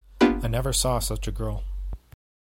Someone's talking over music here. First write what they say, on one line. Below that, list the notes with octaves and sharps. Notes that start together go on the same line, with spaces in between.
I never saw such a girl!
A#3 B3 D4 F4 G4 B4